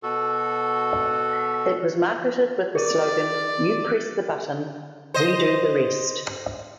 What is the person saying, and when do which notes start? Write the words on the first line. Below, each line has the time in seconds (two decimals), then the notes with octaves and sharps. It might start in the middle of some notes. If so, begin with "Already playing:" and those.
It was marketed with the slogan You press the button, we do the rest.
0.03 B2 F#4 A4
2.75 G#4 A#4 D5
5.14 C5 D#5